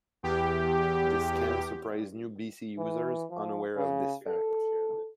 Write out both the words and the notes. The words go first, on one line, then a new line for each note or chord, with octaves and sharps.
This can surprise new bc users unaware of this fact.
E2 G4
E3
F3
C#3
A4